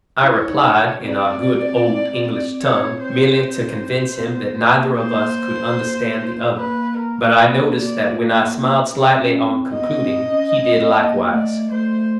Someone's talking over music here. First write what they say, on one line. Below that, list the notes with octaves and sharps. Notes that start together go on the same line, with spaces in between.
I replied in our good old English tongue merely to convince him that neither of us could understand the other; but I noticed that when I smiled slightly on concluding, he did likewise.
E4 C#5
D#4
C4 D5
C#5
C5
C5
B3
A#3
C5
A#3 B4
A#4
B4
D5
C4
C#4
C4
B3 D#5
B3
C4
C#4
C4
A#3
A3 D5
A3 C5